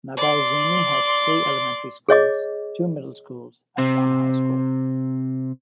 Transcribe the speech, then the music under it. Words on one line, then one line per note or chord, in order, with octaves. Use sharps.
Nagaizumi has three elementary schools, two middle schools and one high school.
D5 C6
G#4 C#5 D#5 D6
C3 C4